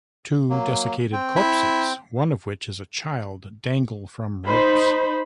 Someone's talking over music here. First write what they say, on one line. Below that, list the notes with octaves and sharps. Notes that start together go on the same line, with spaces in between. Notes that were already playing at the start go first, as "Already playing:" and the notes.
Two desiccated corpses, one of which is a child, dangle from ropes.
F#3 A#3
C4 G5
E4
D#4 C5 B5